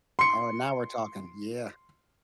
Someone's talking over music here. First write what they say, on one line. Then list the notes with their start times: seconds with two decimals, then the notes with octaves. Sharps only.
Oh, now we're talking, yeah.
0.19 C6 C#7